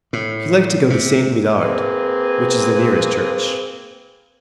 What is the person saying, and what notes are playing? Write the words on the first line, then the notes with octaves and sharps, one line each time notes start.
He liked to go to Saint-Medard, which is the nearest church.
A2
C3
A#3 C4 G#4 B4